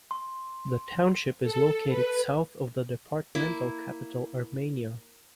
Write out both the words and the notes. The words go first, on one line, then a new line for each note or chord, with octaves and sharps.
The township is located south of the departmental capital Armenia.
C6
A4
B4
A#3 E4